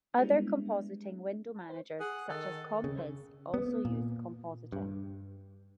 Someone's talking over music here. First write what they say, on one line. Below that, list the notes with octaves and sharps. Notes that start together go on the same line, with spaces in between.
Other compositing window managers such as Compiz also use compositing.
G3 G#3 B3 C4 D4 E4
G#4 F#5
D#3 A4
C#3
B3
A#2
G2